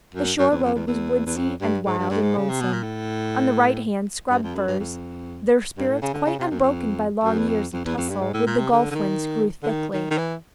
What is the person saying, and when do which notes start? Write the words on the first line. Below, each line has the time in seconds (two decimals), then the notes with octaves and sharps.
The shore road was "woodsy and wild and lonesome." On the right hand, scrub firs, their spirits quite unbroken by long years of tussle with the gulf winds, grew thickly.
0.15 F#2
0.38 F#2
0.51 E2
0.63 F2
0.75 E2
0.87 E2
1.26 E2
1.37 F2
1.61 G2
1.85 G#2
1.98 G2
2.10 G2
2.22 G#2
2.37 C#3
2.49 C3
2.61 B2
2.73 A#2
2.83 A2
4.30 G2
4.43 F2
4.55 F#2
4.67 G2
4.79 F2
5.77 G2
5.89 A2
6.02 C#3
6.13 D3
6.26 C#3
6.39 C3
6.51 F#2
6.59 E2
6.63 F2
7.24 F#2
7.38 E2
7.48 F2
7.73 F2
7.85 E2
7.98 F2
8.09 G2
8.21 G#2
8.33 A2
8.46 A#2
8.58 C3
8.71 D3
8.91 D3
8.95 D#3
9.63 D3
9.69 D#3
9.93 D#3
10.10 D#3
10.18 E3